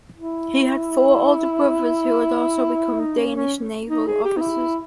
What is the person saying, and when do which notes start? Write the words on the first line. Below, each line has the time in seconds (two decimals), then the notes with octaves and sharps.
He had four older brothers who would also become Danish naval officers.
0.15 E4
3.00 D#4
3.18 C#4
3.36 C#4
3.89 D#4
4.07 G#4
4.24 G4
4.37 D#4
4.41 E4